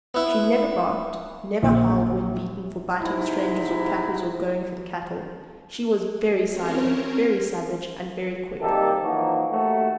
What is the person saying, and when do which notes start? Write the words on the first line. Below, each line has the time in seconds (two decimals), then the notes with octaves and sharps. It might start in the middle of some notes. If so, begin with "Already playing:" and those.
She never barked; never howled when beaten for biting strangers or kaffirs or going for the cattle; she was very silent, very savage, and very quick.
0.14 B3 E4
1.62 A#1
3.00 G#2 C3 D#4 E4
6.51 C4 C#4 A#4 C#5
8.60 C3 D#3 G3 A#3 G4 A4
9.02 F#2 E3 F3 A#3 D#4 F#4
9.50 D#2 A3 F#4